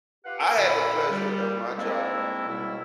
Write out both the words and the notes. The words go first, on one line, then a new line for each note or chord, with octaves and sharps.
I had the pleasure at my job
F4 G4 B4 F5 F#5
A#2 D3 B5
G3
G#2 G#3 A#3 C4 E4 A5
C#2 B2 G3 E4 E6